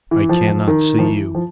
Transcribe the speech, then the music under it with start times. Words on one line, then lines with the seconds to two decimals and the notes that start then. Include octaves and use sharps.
I cannot see you.
0.11 E3
0.29 F3
0.48 F3
0.67 D#3
0.99 F3
1.04 E3
1.35 F3